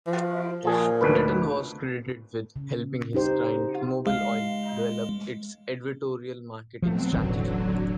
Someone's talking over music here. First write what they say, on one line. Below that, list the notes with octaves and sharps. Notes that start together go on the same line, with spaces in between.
Dutton was credited with helping his client Mobil Oil develop its "advertorial" marketing strategy.
F3
A#2 F3 G#4
D2 G#2 B4
C#3
D#4 G4 C5
G#3 F5
B2 F3 F#3 A3 C4
E1 A1 D3 D#3 F#3